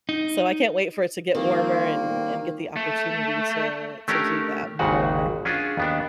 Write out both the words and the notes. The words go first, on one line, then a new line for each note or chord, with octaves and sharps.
So I can't wait for it to get warmer and and get the opportunity to to do that more.
D#4
D#3 G3 A#3 C4 F4
A3
A3 C#4 D4 G4 A#4
G#1 D#2 G#2 C#3 F#4 F#5
C#4 D4 F4 G#4
D#2 B3 D4